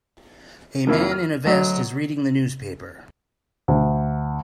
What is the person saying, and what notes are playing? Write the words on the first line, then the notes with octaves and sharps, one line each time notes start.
A man in a vest is reading the newspaper.
F2 D#3 A#3 E4
F6
D2 F#3 D#5
D2